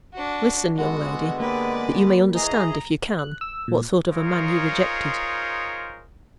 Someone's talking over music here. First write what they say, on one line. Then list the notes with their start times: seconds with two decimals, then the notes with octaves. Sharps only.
Listen, young lady, that you may understand, if you can, what sort of a man you rejected.
0.13 D4 F#4
0.77 D3 G#3 B3 F#4
1.40 A#3 G4 B4 D5
2.35 E3 G#4 D#5 A#5
3.19 F#6
3.41 E6
3.68 A#2
4.10 D#4 F4 G#4 A#4 C5 C#5